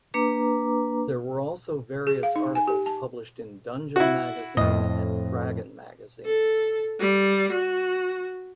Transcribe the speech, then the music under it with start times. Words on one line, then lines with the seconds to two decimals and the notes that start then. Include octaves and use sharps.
There were also various articles published in "Dungeon" magazine and "Dragon" magazine.
0.14 A#3 D4 B4 A#5 D6
2.07 G#4
2.23 F5
2.36 D#4
2.55 G#5
2.68 G4
2.86 A5
3.96 E4 F#4
4.57 F2 A2 D#5
6.25 A4
7.00 G3
7.51 F#4